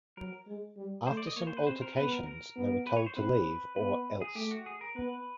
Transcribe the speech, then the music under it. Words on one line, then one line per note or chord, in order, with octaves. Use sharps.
After some altercations they were told to leave or else.
F#3 A#4
G#3
G3
A3 C5
D5
D#5
A#3 C#5
C5
B4
C4 C5
A#4
B3 B4
A#4
A#4
B3
B4
C#5
C5
C4 B4
B3 B4
G#4
A3 G4
F#4
G#4
A#4
B3 B4